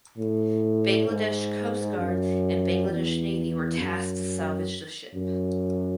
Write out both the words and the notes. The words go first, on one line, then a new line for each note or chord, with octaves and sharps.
Bangladesh Coast Guard and Bangladesh Navy were tasked to salvage the ship.
A2
G#2
F#2
E2
F#2
F#2